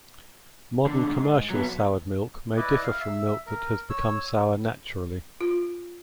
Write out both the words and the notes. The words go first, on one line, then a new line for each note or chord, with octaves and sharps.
Modern commercial soured milk may differ from milk that has become sour naturally.
D3
G#2
F#3 B3
E4 B4 D5 D#5
F5
E5
A#4
C#5 E6
F4